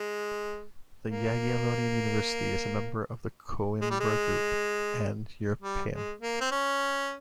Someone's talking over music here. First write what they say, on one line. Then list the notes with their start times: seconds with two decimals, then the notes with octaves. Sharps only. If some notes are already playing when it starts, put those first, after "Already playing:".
The Jagiellonian University is a member of the Coimbra Group and Europaeum.
Already playing: G#3
1.10 A#3
3.82 G#3
3.90 G3
4.00 G#3
5.62 G3
5.92 G#3
6.21 A#3
6.41 C4
6.52 C#4